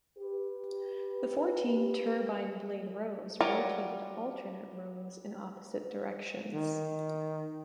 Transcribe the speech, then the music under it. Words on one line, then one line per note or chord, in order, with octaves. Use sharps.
The fourteen turbine blade rows rotated alternate rows in opposite directions.
G4 B4
F#3 G3 F4 A#4 C#5
D#3